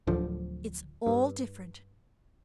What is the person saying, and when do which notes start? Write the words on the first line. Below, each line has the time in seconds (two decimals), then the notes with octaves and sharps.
It's all different.
0.07 D1 D3 F3
1.07 G2